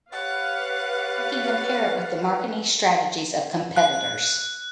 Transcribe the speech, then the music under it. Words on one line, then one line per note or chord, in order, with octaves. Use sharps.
You can compare it with the marketing strategies of competitors.
G4 B4 C#5 F5 F#5 A6
F#6